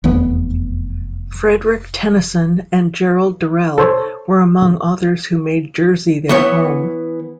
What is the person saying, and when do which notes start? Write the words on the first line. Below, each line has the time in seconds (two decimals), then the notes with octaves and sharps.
Frederick Tennyson and Gerald Durrell were among authors who made Jersey their home.
0.04 F1 E2 E3 B3
3.78 A4 C5 C#5
6.29 E3 B3 C#5